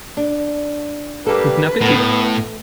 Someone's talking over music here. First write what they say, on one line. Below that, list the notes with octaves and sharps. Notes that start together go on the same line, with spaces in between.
Guten Appetit!
D4
G3 A#3 G4 A4 B4
A2 A3 B3